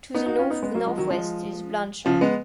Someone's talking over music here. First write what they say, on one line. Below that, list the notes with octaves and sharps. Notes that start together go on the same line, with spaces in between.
To the north-northwest is Blanchard.
B3 D#4
D#4 F#4
C#4 F4
B3 D#4
G#3 B3
F#3 A#3
F3 G#3
D#3 F#3
F3 G#3
C#3 F3
G#3 B3